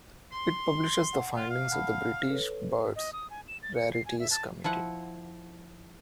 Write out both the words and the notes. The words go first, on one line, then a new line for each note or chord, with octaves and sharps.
It publishes the findings of the British Birds Rarities Committee.
C6
F#5
F4
F5
F#5 A5 B5
A4 B4 C#5
D#5
D#6
G#5
E7
A6
C#7
C7
G#5
E5
A5
F3 E4 F#5